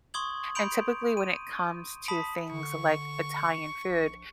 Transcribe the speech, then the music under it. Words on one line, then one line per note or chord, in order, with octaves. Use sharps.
and, typically, when it comes to things like Italian food,
C6 C#6 D#6 G#6 F#7
B5 C6 G6 D7 F7
D#7
A5 B5 D#6 B6 F#7
D3 C#6
A#1